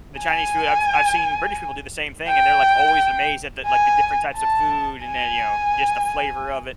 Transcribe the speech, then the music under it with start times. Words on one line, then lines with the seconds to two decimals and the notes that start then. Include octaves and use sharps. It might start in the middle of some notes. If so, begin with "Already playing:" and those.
the Chinese food, I've I've seen British people do the same thing and they're, like, always amazed at the, like, the different types of food and then, you know, just the flavor of it,
0.21 G#5
2.28 G5
3.67 G#5
4.36 A5
5.05 G#5